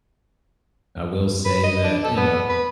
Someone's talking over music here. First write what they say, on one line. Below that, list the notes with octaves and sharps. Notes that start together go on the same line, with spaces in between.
I will say that, you know
B4
D#5
D4
A4
B3
B4